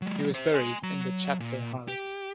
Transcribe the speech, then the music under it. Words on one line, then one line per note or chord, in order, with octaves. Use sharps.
He was buried in the chapter house.
F#3 G#3
C5 E5
G#5 C6
F#3 A#5
A#2
G4